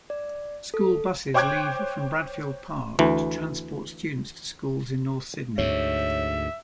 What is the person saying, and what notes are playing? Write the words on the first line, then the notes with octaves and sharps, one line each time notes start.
School Buses leave from Bradfield Park to transport students to schools in North Sydney.
D5
A4
C5 C#5 G5 D6 F#6 G#6
D2 E3
D2 G#2 C#5 E5